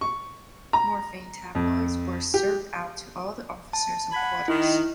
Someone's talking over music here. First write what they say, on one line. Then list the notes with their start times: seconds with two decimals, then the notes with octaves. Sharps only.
Morphine tabloids were served out to all the officers of quarters.
0.01 C#6
0.73 A#5
1.55 F2
2.34 G4
3.73 A5
4.12 F#5 G#5 B5
4.48 D#3 E4